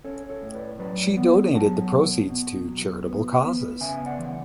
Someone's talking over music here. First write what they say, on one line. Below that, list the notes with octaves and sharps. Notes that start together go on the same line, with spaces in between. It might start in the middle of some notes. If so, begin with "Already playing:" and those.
She donated the proceeds to charitable causes.
C#4 A4 C#5
A4 C#5
A2
B4 D5
F#3 B4 D5
B3
F#3 F#5 A5
B2
B2
F#3
B3
B3
C#3 E5 G#5
D5 F#5
E3